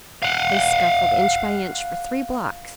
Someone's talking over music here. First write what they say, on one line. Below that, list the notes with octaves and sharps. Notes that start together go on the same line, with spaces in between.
They scuffled inch by inch for three blocks.
F5 F#5